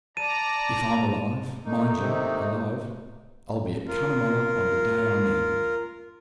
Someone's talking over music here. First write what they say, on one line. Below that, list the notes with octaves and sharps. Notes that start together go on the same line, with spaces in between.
If I'm alive--mind you, alive--I'll be at Cunnamulla on the day I mean.
D5 A5 A#5 D#7
A3 A#3 D#4
C3
F4 A#4